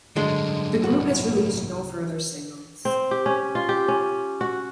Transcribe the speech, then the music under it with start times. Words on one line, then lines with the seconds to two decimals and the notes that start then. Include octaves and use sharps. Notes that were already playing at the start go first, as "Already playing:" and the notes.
The group has released no further singles.
0.16 G2 D3 F#3 G#3
0.83 C2 F#4
2.85 C4
3.11 G4
3.26 C#4
3.55 F4
3.69 G4
3.88 C#4
4.41 F#4